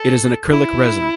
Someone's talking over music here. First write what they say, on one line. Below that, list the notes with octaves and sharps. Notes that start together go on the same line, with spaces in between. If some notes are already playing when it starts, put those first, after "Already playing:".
It is an acrylic resin.
Already playing: A4
E4